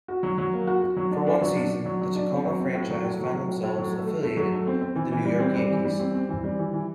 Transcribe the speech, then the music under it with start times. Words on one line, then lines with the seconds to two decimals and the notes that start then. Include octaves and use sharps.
For one season, the Tacoma franchise found themselves affiliated with the New York Yankees.
0.08 F#4
0.23 F#3
0.38 F#3
0.53 A#3
0.67 F#4
0.82 F#4
0.97 F#3
1.11 D4
1.27 D4
1.41 F#3
1.57 D4
1.71 D4
1.85 F#3
2.01 F#3
2.15 D4
2.31 C4
2.45 F#3
2.60 C4
2.75 A2
2.90 F#3
3.04 A2
3.19 F#3
3.34 F#3
3.48 A2
3.63 A2
3.78 F#3
3.92 A3
4.07 A3
4.23 A3
4.37 F#3
4.52 A3
4.67 C4
4.81 C4
4.95 E3
5.11 E3
5.25 G3
5.40 C4
5.56 G3
5.70 E3
5.84 G3
5.99 C4
6.15 C4
6.29 E3
6.44 G3
6.59 E3
6.73 E3